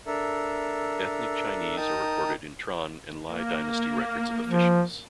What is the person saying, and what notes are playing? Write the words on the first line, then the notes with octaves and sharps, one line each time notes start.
Ethnic Chinese are recorded in Tran and Ly dynasty records of officials.
D4 A4 A#4 E5
D#4 A#4 G5 A5 D#6
A#3
F3